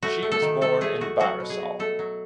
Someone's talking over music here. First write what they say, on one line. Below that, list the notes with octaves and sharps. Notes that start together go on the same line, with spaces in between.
She was born in Barisal.
A3 F#4
A3
A4
D#3
D#3 A4
A3 G#4
A3 F#4
F#3 F#4
B2
G#4
B2
A3 A4
F#3